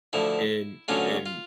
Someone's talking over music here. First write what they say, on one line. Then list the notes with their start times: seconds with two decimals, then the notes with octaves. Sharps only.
and and,
0.13 D2 D3 F3 E4
0.88 D2 D3 F#3 A3 C#4 F4
1.26 F4